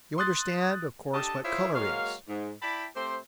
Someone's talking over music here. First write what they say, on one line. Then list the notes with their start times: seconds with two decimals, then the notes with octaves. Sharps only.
You understand, of course, what color is?
0.18 C6 D#6 F#6 A6
1.14 D4 G4 A4 D#5 A5
1.44 E4 F4 G#4 C5 C#5 E5
1.74 F#3 G#3 A#3 C#5 F5
2.29 G#2
2.62 E4 D5 G5 A5 B5
2.96 A3 C4 G4 C5